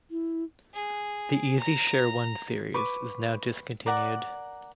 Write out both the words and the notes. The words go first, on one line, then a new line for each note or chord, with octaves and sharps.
The EasyShare-One series is now discontinued.
E4
G#4
A#5
B4 C#6 D6
A#4 D5 F#5